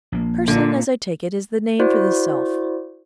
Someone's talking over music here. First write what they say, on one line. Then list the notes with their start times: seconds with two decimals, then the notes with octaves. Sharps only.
PERSON, as I take it, is the name for this self.
0.12 A#1 A#3
0.48 A#2 D3
1.80 E4 F#4 C5 D5